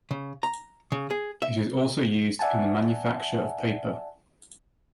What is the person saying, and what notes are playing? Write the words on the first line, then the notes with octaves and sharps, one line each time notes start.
It is also used in the manufacture of paper.
C#3
A#5
C#3
G#4
E5
D5 E5 F#5 G#5 A5